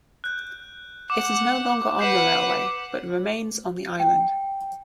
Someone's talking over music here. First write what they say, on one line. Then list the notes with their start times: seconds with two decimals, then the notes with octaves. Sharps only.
It is no longer on the railway, but remains on the island.
0.24 F#6 G6
1.10 F#5 D6
1.99 B4 F#5 G6 C7 E7
4.00 G5